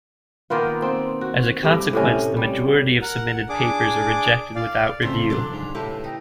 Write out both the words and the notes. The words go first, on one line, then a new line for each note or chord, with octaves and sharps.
As a consequence, the majority of submitted papers are rejected without review.
D#3 A#3 B3 F4
C4
F#4
G2 A3 G4
A2 C3 C#4
G3
A#4 F#5
D4 G#4 D6
D5 F5
F2 C#3 E3 A3 C6
F#3 D4 A4
G#2
A2 E4 G4 B4 A5
D#4 G5